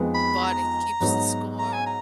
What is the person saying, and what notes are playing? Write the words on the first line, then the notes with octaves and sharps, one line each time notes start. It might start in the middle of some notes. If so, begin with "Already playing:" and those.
The Body Keeps the Score?
Already playing: F2 F3 G#3 B3 D#4
B5
A#5
G#2 F#3 B3 D#4
A#5
G#5
A#5